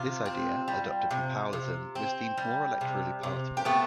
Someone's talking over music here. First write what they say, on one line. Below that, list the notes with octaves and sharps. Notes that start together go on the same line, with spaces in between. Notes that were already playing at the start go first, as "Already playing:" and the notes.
This idea, adopted from Powellism, was deemed more electorally palatable.
Already playing: C3 F4
C4
G3
C3
C3
C4
G3
C3
C3
G4
A3 B3 A4